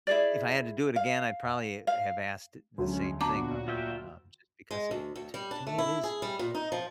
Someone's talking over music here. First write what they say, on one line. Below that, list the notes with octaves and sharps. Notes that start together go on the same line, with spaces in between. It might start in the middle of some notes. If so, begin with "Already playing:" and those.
if I had to do it again, I'd probably have asked the same thing of her, uh, just because it t to me, it is
E4 G#4 D5
F5
F5
D2 D3 F#3 G#3 C#4
A#2 B3 D4 F#4 A5 A#5 D6
F4 E5 G5
G#3
D2
D2
G3
D4
A3
E4
G#4
G3
A#2
D#4
F3